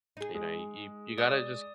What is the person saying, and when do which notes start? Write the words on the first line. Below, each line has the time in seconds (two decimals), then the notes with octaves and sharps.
you know, you you gotta just
0.17 D#4 G#4
0.35 G#3
1.18 D5 D#6